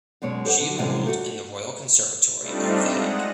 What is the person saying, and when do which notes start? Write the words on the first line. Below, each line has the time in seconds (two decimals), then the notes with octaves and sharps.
She enrolled in the Royal Conservatory of The Hague.
0.22 F#2 B2 G#3 C#5
0.45 G4 A4 C5 F#5
0.60 D3
0.78 F#2 A2 C3 E3 G3 G#3
1.06 A3 F#4
2.39 G3 A3 C4 D4 D#4 F4
2.91 G#3 F#5 D#6 A#6